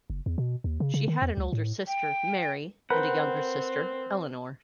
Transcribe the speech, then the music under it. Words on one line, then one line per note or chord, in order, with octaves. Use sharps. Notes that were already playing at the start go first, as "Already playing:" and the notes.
She had an older sister, Mary, and a younger sister, Eleanor.
F#1
E2
B2
D#2
C#3
C#3
D#3
E2
C#2
A2
G5
C4 A#4 B4 F#5 G5 B5